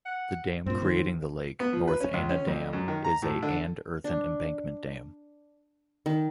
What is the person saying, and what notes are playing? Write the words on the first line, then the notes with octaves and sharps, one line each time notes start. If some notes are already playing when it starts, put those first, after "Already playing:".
The dam creating the lake, North Anna Dam, is a and earthen embankment dam.
F#5
G2 A#2 C4
D#3
B3
F3
B4
C#4
C#2
C#4
F2
F#2
D#3
A#5
A2
D3
D4
D#3